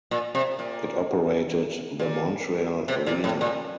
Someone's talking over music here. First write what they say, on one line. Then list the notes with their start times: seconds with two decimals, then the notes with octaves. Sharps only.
It operated the Montreal Arena.
0.11 A#2
0.35 C3
0.59 A#2
2.00 A#2
2.88 C3
3.06 A#2
3.24 A2
3.41 A#2